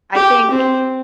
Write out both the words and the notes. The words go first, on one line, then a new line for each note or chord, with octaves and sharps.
I think
G4
C4